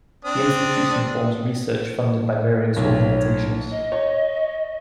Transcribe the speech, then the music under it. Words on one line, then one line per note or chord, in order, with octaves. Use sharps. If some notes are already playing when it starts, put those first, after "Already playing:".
The institution performs research funded by various organizations.
C4 D4 D#6
B1 C#5
D#5
C#5